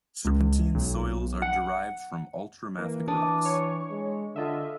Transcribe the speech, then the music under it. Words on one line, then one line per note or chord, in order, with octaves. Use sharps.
Serpentine soils are derived from ultramafic rocks.
C#2
B1
F#5
E3 A#3
D4 D#6
C#5 C#6
G#3
D3 F4 D#5 E5